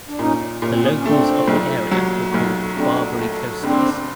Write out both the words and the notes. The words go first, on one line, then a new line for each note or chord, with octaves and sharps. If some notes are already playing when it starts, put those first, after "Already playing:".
The locals of the area were called "Barbary Coasters".
D4
A#2 C#4 D#4
A#2 C#4
C4
B3 C#4
C#4
A3 C4 D4
B1
F#3
B1
A3 C4 D4
A3
F#1 C4 D4